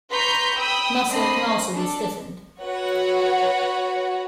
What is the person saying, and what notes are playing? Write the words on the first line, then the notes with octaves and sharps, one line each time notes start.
Muscle can also be stiffened.
B4 A#5 C6 C#6 G6 B6
G5 B5 D#6 E6
C4 D4 D#5 B5 D#6 C7
D4 A4
F#4 B4 C#5 F#5